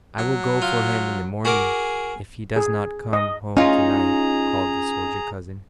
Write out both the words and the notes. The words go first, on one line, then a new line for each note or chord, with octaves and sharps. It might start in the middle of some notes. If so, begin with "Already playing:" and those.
"I will go for him in the morning, if he does not come home to-night," called the soldier cousin.
F#3
F4
F#4 G#4 A#4 D6
G#4
D#5
C#4 D#4 F4 G#4 A#5